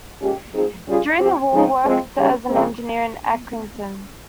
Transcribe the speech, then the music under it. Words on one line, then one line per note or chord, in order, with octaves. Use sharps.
During the war, worked as an engineer in Accrington.
A#2 G#3 C#4 G4
F3 C4 D#4 G#4
C#3 G3 C#4 F4 G#4
F3 C4 G4
C#3 F3 G#3 D#4
F3 G#3 C4
D#2 C#3 G3 C#4
C#3 F3 G#3 C4